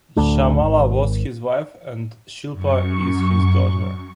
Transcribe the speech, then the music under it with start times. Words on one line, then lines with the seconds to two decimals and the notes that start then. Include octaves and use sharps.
Shyamala was his wife and Shilpa is his daughter.
0.16 D1 D2 A3 D4
0.61 G#1
2.53 F#2 C#6